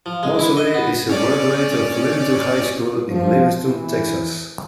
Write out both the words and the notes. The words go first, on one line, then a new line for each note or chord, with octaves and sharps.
Moseley is a graduate of Livingston High School in Livingston, Texas.
F3
G#3
E4
D#5
B3
C#4 D5
F3
E3